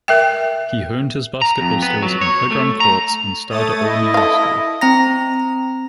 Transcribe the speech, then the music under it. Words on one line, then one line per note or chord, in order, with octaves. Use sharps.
He honed his basketball skills in playground courts and starred at Olney High School.
A#4 E5 G5
A#5
F2
B3
F#3
C#5
A3
A#5
A3 C#5 D#6 A6
E4 D#5
A4 F5
C4 A#5 A#6